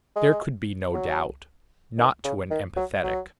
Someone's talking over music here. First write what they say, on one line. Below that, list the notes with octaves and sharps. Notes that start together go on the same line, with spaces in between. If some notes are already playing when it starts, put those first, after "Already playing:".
There could be no doubt, not to an empathetic.
G#3
F#3
D#3
C#3
D#3
F#3
F#3